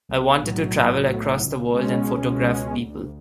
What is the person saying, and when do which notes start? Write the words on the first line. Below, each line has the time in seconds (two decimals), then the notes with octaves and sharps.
I wanted to travel across the world and photograph people.
0.09 B1
0.43 A2 F#3
0.76 B1
1.08 A2 F#3
1.42 C#2
1.74 B2 G#3 C#4
2.07 C#2
2.40 B2 G#3 C#4
2.73 D2